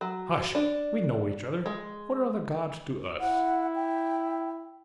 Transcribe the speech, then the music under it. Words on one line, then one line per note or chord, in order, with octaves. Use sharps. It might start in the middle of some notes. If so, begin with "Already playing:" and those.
'Hush! we know each other--what are the gods to us?'
F#3
D4
G#3
E4 F#5
G5